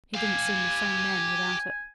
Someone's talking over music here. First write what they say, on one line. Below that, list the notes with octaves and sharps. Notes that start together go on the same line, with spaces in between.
He didn't seem the same man without it.
G4 F5 G#5